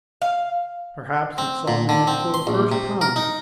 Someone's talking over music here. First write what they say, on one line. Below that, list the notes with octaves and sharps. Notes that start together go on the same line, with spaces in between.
Perhaps it saw men for the first time.
F5
C4
A#2
D3
C4
C6
A#1
C3
A#4
D#4